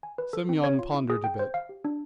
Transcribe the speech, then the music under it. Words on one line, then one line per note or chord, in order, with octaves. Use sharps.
Semyon pondered a bit.
G#5
B4
A4
C4
C#5
F4
E4
G#4
G5
C5
F5
G4
D4